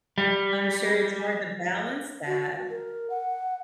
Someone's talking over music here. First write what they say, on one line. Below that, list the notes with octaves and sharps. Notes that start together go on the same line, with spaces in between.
I'm sure it's hard to balance that.
G3
F#4
A#4
F#5